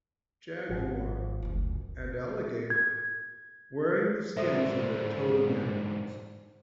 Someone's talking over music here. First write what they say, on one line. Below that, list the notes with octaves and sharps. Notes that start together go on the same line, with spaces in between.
"Jaguar" and "Alligator," wearing the skins of their totem animals.
G#1 F3
F#1 D2
G#6
G#2 D3 A4 C5 E5